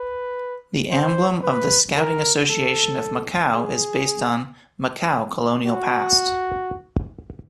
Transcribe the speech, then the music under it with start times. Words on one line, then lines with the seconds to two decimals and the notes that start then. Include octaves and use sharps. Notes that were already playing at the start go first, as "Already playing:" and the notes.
The emblem of the Scouting Association of Macau is based on Macau colonial past.
Already playing: B4
0.91 C5
1.43 B4
1.96 A#4
2.50 A4
3.55 G#4
5.66 F#4